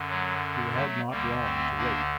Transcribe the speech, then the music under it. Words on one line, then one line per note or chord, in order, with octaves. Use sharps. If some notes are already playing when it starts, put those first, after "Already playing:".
He had not long to wait.
Already playing: F#2 D3
F#3
F#3 A3
D2 D3 G3 A#3
A3 C4
A#3 D4